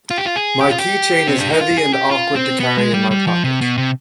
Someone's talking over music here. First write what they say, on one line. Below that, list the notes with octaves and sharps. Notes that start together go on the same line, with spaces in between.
My keychain is heavy and awkward to carry in my pocket.
F4
G4
F4
G#4
G4
F4
G4
C4
D4
D#4
F4
G#4
G4
F4
C4
B3
G#3
G3
G3
F3
C3
B2
C3